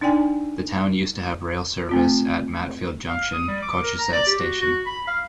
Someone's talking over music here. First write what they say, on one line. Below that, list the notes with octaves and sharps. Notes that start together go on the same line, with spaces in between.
The town used to have rail service at Matfield Junction, Cochesett station.
D4 D#4 D5 G5 G#5
A3 C4 F4
F5
D#6
G3
D6
A#4
A#5
D5
G4
F#4
F#4
B5
F5